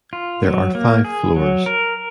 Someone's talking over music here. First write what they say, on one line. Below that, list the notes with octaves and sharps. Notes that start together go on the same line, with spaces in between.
There are five floors.
F4
F#3
A#3
G#4
F#3
A#4